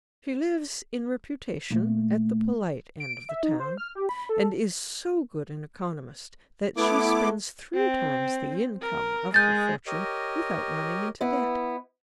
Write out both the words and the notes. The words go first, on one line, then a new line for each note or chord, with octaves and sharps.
She lives in reputation at the polite end of the town, and is so good an economist, that she spends three times the income of her fortune, without running into debt.
A#2 A3
D7
E5
D#4
C5
F6
G4
B5
A4
A3 B3 E4 D6
C4
A#4
G#3 G6 A6
G4 A#4 C#5 D#5
B3 E4